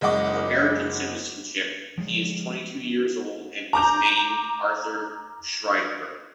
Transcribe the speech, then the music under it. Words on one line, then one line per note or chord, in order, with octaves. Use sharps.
Of American citizenship, he is twenty-two years old and is named Arthur Schreiber.
F#1 G#3 D#5 F#5 D6
F3 G#3
A#5 D6 G6